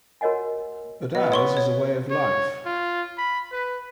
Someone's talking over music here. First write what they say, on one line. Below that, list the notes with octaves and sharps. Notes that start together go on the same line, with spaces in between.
But ours is a way of life.
F#4 A#4 C#5 D#5 F#5 G#5
B3 D#5
C#5 C6 C#6
C#5
C#5
F4
B5
B4